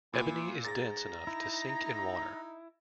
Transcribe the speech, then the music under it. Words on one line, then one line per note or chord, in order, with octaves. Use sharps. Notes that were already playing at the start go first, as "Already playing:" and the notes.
Ebony is dense enough to sink in water.
A#2 E3
G#2 A#5 A6 A#6
D#4 E4